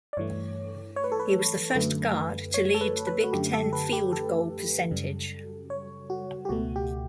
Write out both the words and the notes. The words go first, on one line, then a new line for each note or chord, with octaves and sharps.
He was the first guard to lead the Big Ten field goal percentage.
D5
G2 E3 A3 C#5
C#5
B4
A4
B4
F#2 D3 A3
C#5
A4
B4
B4
F#4
F#2 D3 A3 G4
A4
B4
G4
A4
F#2 C#3 G3
C#5
F#4
G4
C#2 B2 A3 F#4
G4